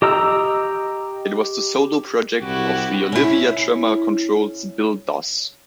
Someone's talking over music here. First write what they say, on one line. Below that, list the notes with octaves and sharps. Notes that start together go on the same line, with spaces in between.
It was the solo project of The Olivia Tremor Control's Bill Doss.
G4 D#5 A#5 E6
C2 E4 F#4 G4
C#4 E4